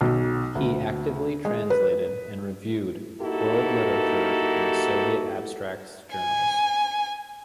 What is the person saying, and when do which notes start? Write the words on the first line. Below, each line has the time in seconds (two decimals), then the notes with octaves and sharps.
He actively translated and reviewed world literature in the Soviet Abstracts Journals.
0.01 B1
0.55 D2
1.45 G#3
1.70 B4
3.20 A#3 D#4 E4 F#4 G4 A4
6.16 G#5